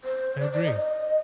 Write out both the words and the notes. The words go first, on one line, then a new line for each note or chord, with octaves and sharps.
I agree.
C5
D5
D5
D#5